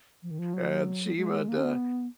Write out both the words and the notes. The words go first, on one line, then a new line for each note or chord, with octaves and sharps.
And she would, uh
F3
D#3
F3
F#3
F3
F#3
G#3
A#3
C#4
B3